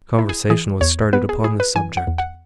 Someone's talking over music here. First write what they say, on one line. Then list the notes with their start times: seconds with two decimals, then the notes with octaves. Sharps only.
Conversation was started upon this subject.
0.19 E4
0.29 G#4
0.50 E3 G#4
0.81 E2 C#5
1.13 B3 B4
1.29 G#4
1.44 E4 G#4
1.60 B4
1.76 E3 G#5
1.97 F#5
2.07 E2
2.18 F#5